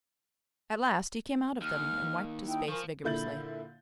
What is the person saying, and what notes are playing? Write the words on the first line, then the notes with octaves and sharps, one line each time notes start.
At last he came out of them, and wiped his face vigorously.
D#2 F6
D#4 E4 G5
F3 A#4 G#5 C#6
A#2 D3 E4 G6 A6 F#7